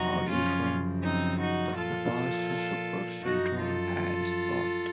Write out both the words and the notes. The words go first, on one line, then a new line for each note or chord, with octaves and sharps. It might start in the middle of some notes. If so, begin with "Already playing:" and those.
However, the Pudsey supercentre has both.
Already playing: F2 C3 F#3 D#4 F#4
F#2 C#3 F3 C#4 F4
C4 D#4
D#4 F#4
A#2 F3 F4 A4
F#2 F3 D#4 F#4
F4 A4